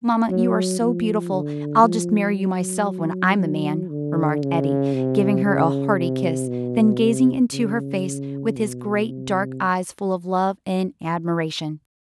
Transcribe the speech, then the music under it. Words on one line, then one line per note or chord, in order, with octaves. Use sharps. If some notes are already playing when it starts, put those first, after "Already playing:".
"Mamma, you are so beautiful, I'll just marry you myself, when I'm a man," remarked Eddie, giving her a hearty kiss, then gazing into her face with his great dark eyes full of love and admiration.
F#3
F3
D3
F3
F#3
F#3
D3
C#3
C3
C#3
C3
B2
C3
C#3
B2
C3